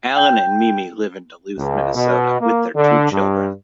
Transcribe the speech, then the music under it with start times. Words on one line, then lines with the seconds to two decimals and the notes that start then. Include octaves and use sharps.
Alan and Mimi live in Duluth, Minnesota, with their two children.
0.16 G5 G6
1.58 C#2
1.95 B2
2.41 A#3
2.76 D3
3.12 G2